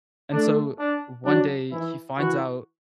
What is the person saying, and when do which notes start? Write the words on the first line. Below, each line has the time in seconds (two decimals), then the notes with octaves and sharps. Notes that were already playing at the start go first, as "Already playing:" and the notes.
And so one day he finds out
0.33 A3 D4
0.79 D4
1.25 F#3 D4
1.72 E3 E4
2.18 E3 F#4